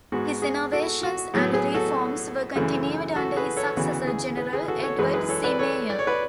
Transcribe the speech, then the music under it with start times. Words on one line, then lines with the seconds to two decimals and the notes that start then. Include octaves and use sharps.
His innovations and reforms were continued under his successor, General Edward C. Meyer.
0.12 G#2 G#3 B3 F#4
0.42 G#4
0.73 F#4 A4
1.03 F#4
1.34 A2 F#3 B3 G#4
1.54 G#4
1.75 F#4 A4
2.56 F#2 C#3 E3 A3
3.16 F#4 A4
3.36 G#4 B4
3.57 A4 C#5
3.77 D2 C#3 E3 B3 F#4
4.07 G#4
4.37 G#4 B4
4.53 G#4
4.68 F#4 A4
4.83 A4 C#5
4.99 F#2 E3 G#3 G#4 B4
5.13 G#4 B4
5.29 A4 C#5
5.44 B4 D5
5.59 A4 C#5
5.90 D5
5.99 C#5
6.07 B4 D5